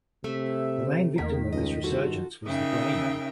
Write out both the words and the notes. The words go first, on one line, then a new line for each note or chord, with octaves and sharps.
The main victim of this resurgence was the Green!
C3 A3 E5
C5
E2 D#3 A3 A#3 B6
C#2 D#5
G2 F4 F#4 A4
C#3 D#4 A#4 E5 G5